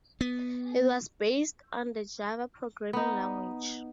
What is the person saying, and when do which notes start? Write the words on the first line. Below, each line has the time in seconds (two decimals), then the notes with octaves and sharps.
It was based on the Java programming language.
0.21 B3
2.93 B3 D#4